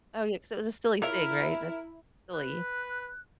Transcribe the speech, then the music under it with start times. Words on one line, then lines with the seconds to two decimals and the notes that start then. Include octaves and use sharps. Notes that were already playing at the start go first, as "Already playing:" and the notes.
Oh, yeah, 'cause it was a silly thing, right? That's silly,
1.02 E4 F4 A#4 C#5 E5
2.34 B4 F#6